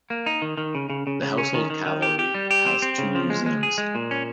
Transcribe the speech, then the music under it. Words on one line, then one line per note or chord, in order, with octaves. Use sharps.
The Household Cavalry has two museums.
A#3
D#4
D#3
D#3
C#3
C#3
C#3
C#3
C#4
D#3
D#3
D#3
G4
G4
G3
G4
C4
C4
C#3
F3
G#3
G#3
G#4
G#3
A#2
C#4